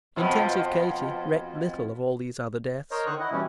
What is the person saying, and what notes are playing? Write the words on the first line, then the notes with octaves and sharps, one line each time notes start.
Intensive Katie recked little of all these other deaths.
F2 B2 F3
A#4 C5 C#5 D#5
D3 D#3 C5 C#6 D#6 F#6
E4 D#5 F#5
B2 E3 G3 C#4 E4